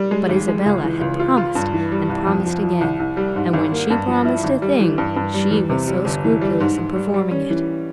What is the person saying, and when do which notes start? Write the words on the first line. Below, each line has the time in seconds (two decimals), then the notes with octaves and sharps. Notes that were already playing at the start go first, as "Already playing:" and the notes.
But Isabella had promised and promised again; and when she promised a thing, she was so scrupulous in performing it!
Already playing: G3
0.11 G#3
0.29 G#1
0.48 G#3
0.66 C#2
0.84 E3
1.01 C#2
1.19 F4
1.37 F4
1.55 G2
1.73 E3
1.92 G3
2.09 C2
2.27 F2
2.46 F3
2.63 F3
2.81 C2
2.99 C2
3.17 G3
3.36 G#2
3.53 G#1
3.72 A#3
3.90 G2
4.08 F3
4.25 E4
4.43 G#1
4.62 G3
4.80 E3
4.98 G2
5.16 G2
5.34 G3
5.51 E2
5.69 C3
5.88 G3
6.05 G1
6.24 E3
6.41 G3
6.60 G#2
6.78 G#2
6.96 G3
7.14 G3
7.31 C#4
7.50 E3